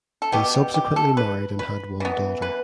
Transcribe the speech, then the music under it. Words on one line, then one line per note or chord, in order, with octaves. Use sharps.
They subsequently married and had one daughter.
A4
B2 B3 G4
G4
G4
A4
B4
B4
E3 B3
B4